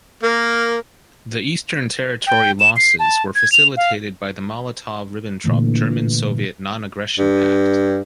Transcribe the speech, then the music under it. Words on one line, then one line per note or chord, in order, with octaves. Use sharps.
The eastern territory losses were facilitated by the Molotov-Ribbentrop German-Soviet non-aggression pact.
A#3 A#4
G5
E7
C7
A5
G#6
F7
F5
A#2 D3 E3 A3
G2